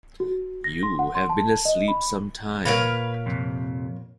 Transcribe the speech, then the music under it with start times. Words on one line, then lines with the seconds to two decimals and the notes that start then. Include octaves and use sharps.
You have been asleep some time.
0.20 F#4
0.64 A#6
0.83 C6
0.99 F#5
1.15 C6
1.29 A5
1.65 D#5
1.88 B5
2.65 A#2 A#4 B4 C#5 F5
3.26 F2 C3